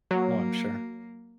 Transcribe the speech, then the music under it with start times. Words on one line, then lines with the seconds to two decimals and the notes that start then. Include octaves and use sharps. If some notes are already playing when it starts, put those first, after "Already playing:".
Oh, I'm sure.
0.11 F#3 A#3